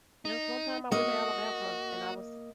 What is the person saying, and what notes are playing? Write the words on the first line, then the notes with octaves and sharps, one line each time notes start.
There was one time I went to Alabama, and I was
D#4
A#3 F#4 D#5